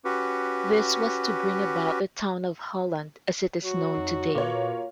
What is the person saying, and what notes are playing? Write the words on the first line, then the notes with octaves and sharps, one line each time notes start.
This was to bring about the town of Holland as it is known today.
C#4 F#4 G4 B4
F#3 F#4
F2 D#4
A#2 A#3 F4 B4 C#5 D6